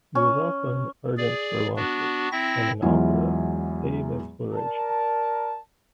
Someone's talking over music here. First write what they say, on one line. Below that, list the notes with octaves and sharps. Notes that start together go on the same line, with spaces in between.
He was also an ardent spelunker and the author of "Cave Exploration".
C#4
G#4 D5
B3 D4 F#4
C4 E4 E5 A#6
E2 E3 F#3 G#3 F4 G#5
A#4 D5 A5